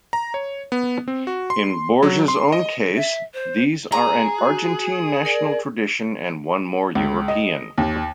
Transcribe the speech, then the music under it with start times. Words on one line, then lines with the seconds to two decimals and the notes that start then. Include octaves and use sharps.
In Borges's own case, these are an Argentine national tradition and one more European.
0.13 A#5
0.34 C#5
0.72 B3
1.08 C4
1.27 F#4
1.50 C6
2.03 F#3
2.28 C6
2.52 D#5
2.96 E5
3.34 C5
3.92 G#4 A#5
4.38 F#4
5.25 A#4 D5
6.95 C#2
7.28 D#5
7.78 D#2